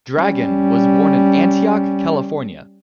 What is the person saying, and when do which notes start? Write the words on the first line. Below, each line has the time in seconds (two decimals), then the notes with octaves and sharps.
Dragon was born in Antioch, California.
0.17 G3 C#4